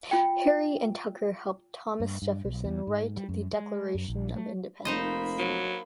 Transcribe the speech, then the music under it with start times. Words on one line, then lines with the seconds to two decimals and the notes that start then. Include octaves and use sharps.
Harry and Tucker help Thomas Jefferson write the Declaration of Independence.
0.11 F4 G5
2.00 G2
2.22 G2
2.45 B1
2.64 E2
2.87 G#2
3.17 G3
3.29 F#2
3.53 G#3
3.95 F#2
4.08 A#1
4.35 A3
4.85 F1 A#3 D#4 C5 D#5 B5
5.39 F#3